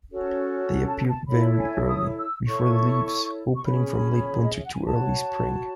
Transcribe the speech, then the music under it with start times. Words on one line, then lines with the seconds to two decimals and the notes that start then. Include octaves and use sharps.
They appear very early, before the leaves, opening from late winter to early spring.
0.10 C#4 F#4 A4 C#5
0.88 A5
1.08 A5
1.28 E4 A4 C#5 B5
1.58 G#5
1.87 D#6
2.18 E6
2.47 E4 A4 C#5 C#6
3.56 C#6
3.66 C#4 G#4 C#5 B5
4.44 D#5
4.54 E5
4.64 F#5
4.74 G#5
4.85 F#4 C#5 A5